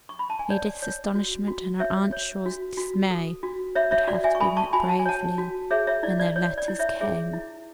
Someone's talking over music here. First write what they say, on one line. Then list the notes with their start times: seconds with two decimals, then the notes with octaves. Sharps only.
Edith's astonishment and her aunt Shaw's dismay would have to be met bravely, when their letters came.
0.09 C#6
0.19 B5
0.30 A5
0.39 G#5
0.50 C#5 D5 F#5
0.82 C#5
1.15 F#4
1.48 F#4
1.80 C#5 E5
2.13 C#5
2.46 F#4
2.77 F#4
3.10 A4
3.43 F#4
3.75 C#5 E5
3.91 C#5 E5
4.08 F#4 D5 F#5
4.24 E5 G#5
4.35 C#6
4.40 A4 G#5 B5
4.57 A5 C#6
4.73 F#4 G#5 B5
4.89 A5
4.99 G#5
5.06 C#5 F#5 A5
5.38 F#4
5.71 G#4 C#5 E5
5.87 C#5 E5
6.03 E4 D5
6.20 D5
6.36 C#5
6.58 D5
6.68 E4
6.79 C#5 E5
7.01 G#4 C#5 E5
7.33 E4